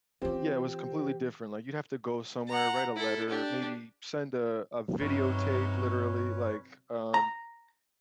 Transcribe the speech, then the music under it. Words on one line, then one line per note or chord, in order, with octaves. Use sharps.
Yeah, it was completely different, like, you'd have to go somewhere, write a letter, maybe send a a video tape literally like, um
E3 C4 C#4 F4 G4 C5
F#5 A#5
E4 A4
D4 G4
G2 C3 F#3 C#4 D#4 B4 C#5
A#5